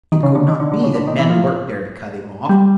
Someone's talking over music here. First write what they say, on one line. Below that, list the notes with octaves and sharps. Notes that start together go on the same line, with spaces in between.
It could not be that men lurked there to cut him off.
D#3
C#3
D3
D#3
D3
D3
C#3
D3
D#3
E3
F3
G3